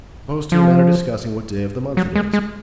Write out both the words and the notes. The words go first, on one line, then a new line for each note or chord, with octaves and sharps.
Suppose two men are discussing what day of the month it is.
F3
F#3
G#3
G#3